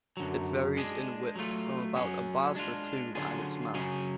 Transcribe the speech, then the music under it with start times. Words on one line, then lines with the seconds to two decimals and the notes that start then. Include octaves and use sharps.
It varies in width from about at Basra to at its mouth.
0.17 F#2 D3 F#3
0.77 G#3 D4 G#4
1.36 F#3 A3 F4
1.95 F#3 C#4 G#4
2.55 G#3 D4 F4
3.15 D3 F#3 C#4 F4 G#4
3.74 C#3 F#3 C#4 G#4